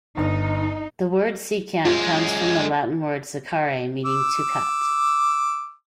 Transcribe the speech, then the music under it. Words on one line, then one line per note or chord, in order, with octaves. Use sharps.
The word "secant" comes from the Latin word "secare", meaning "to cut".
G1 D#4
F#2 G#3 F4
D6 E6